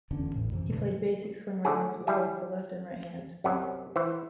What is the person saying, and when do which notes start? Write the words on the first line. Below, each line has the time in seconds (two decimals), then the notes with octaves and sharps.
He played basic swing rhythms with both the left and the right hand.
0.11 F1 E2 D3 C#4
0.34 A1 A2
0.52 F#2 C3 E3
0.70 B2 D3
1.65 D3 F#3 A3 F#4 G#4
2.07 G3 E4 G#4 E5
3.44 C2 F#2 C3 F#3
3.96 E3 C5